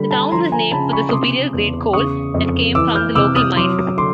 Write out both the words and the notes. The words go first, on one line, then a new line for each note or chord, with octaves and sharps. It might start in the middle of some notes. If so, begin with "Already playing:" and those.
The town was named for the superior-grade coal that came from the local mines.
Already playing: D3 G3 B5
A5 B5
F3 A#5 C6
G#5 A#5
C#3 A5 B5
B5 C#6
D#6
C3 C6 D6
E2
C#3 C#6 D#6
F2
E3 D6 E6
F6 G6
C3 D6 E6
D#6 F6
F#3 C6 D6
D3 C6 D6